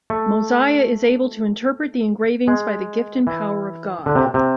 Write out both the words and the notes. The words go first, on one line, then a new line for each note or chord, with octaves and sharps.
Mosiah is able to interpret the engravings by the gift and power of God.
A3
G#3
E3
D3
C3
C3